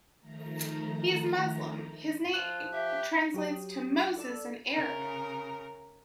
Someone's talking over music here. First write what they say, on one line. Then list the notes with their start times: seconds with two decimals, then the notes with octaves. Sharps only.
He is a Muslim.His name translates to Moses in Arabic.
0.20 D#3 F3 A3 A#5
2.34 F3 F4 F#6
2.72 G4 E5
3.34 F#3 G4 D#6
4.17 A4 D5 A5 E6
4.73 C#3 A#4